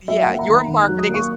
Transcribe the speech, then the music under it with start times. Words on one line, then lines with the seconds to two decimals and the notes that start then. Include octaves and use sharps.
Yeah, your marketing is,
0.08 F#3 E5
0.24 A#3 F#5
0.39 A#5
0.48 D#3
0.54 A#5
0.68 D#3
0.84 F#6
0.89 F#3
0.99 D#6
1.09 A#3 C#6